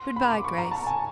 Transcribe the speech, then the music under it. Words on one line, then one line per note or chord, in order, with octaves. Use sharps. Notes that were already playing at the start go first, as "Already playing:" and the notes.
Good-bye, Grace.
Already playing: C6
B5
D6
C#6
A#5
A5
G#5